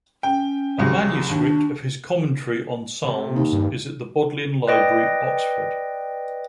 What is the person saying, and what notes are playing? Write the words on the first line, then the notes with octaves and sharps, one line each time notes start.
A manuscript of his commentary on Psalms is at the Bodleian Library, Oxford.
C#4 G5
F#1 C2 F#3
D#2 D4
C3
D#2
G2
B4 D5 D#5 G5 A#6